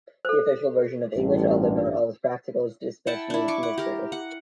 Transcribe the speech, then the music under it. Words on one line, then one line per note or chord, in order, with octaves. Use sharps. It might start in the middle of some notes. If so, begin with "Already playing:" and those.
The official version of English, although not always practical in its dispensation, is British.
A4 C5
A1 G2
E4 F#5 G5 A5
D4 E4
C#6 D6
F#5
G4 A#4
F#5